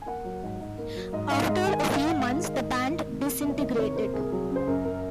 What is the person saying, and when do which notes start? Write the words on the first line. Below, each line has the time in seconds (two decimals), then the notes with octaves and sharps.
After a few months the band disintegrated.
0.02 G#5
0.06 A#3 F#5
0.24 F#3
0.43 G#2
0.61 G#2
0.78 A#3
0.96 F#3
1.13 G#2 D#5
1.30 G#2 F5
1.49 G#3 D#5
1.67 D#3 G#5
1.84 G#2 D#5
1.95 F5
2.01 G#2
2.07 F#5
2.19 G#3 F5
2.37 D#3
2.54 G#2 D#5
2.73 G#2
2.90 D#3
3.07 C3
3.25 A#3
3.42 C2
3.50 C#5
3.60 D#3 D#5
3.79 C3 C#5
3.91 A#4
3.96 A#3 C5
4.14 C2 G#4
4.32 F#3 G#4
4.50 C#3
4.56 C5
4.67 F#2 A#4
4.85 F#2 A#4